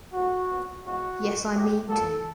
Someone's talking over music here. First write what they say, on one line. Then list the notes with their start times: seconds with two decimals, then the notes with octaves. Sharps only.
Yes, I mean to.
0.13 E2 C3 E3 A3 F#4
0.48 A#2 F#3 B3
0.83 E2 C#3 F3 G#3 B3 F#4
1.18 C#2 B2 G3
1.54 A2 F#3 A3 G4
1.89 A#2 F#3 A#3 A4